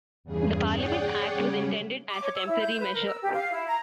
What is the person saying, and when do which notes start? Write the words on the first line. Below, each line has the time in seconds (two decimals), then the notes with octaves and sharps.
The Parliament Act was intended as a temporary measure.
0.24 E2 G2 C#3 G#4
0.70 G#4 C#5 D5 F#5 G5
1.32 C#3 G3 C#4
2.09 D6
2.24 C#5
2.35 E6
2.47 E4
2.61 G6
2.80 B4
2.93 A#4
3.08 E6
3.21 G4
3.34 F5
3.51 E4
3.67 A#5